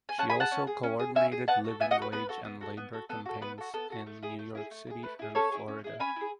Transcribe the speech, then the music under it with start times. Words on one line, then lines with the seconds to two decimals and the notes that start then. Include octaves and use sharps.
She also coordinated living wage and labor campaigns in New York City and Florida.
0.09 G#5
0.18 C#4 F#5 A5
0.29 G#5 B5
0.35 G#4
0.40 F#5 A5
0.51 C#4
0.67 G#4
0.83 C#4
0.99 G#4
1.15 C#4 E5 G#5
1.32 G#4
1.48 B3 F#5 A5
1.64 F#4 A4
1.80 B3 E5 G#5
1.91 D#5 F#5
1.97 F#4 A4
2.02 B4
2.12 B3 B4
2.29 F#4 A4
2.45 B3
2.61 F#4 A4
2.77 B3
2.93 F#4 A4
3.09 B3 A4
3.26 F#4 A4
3.41 B3 B4
3.58 F#4 A4
3.74 B3 A4
3.90 F#4 A4
4.07 A3
4.23 E4 G#4
4.39 A3
4.55 E4 G#4
4.71 A3
4.87 E4
4.90 G#4
5.03 A3 B4
5.19 E4 G#4
5.35 C#4 A4 C#5
5.51 E4 G#4
5.68 C#4
5.84 E4 G#4
5.99 C#4 G#5 B5
6.16 E4 G#4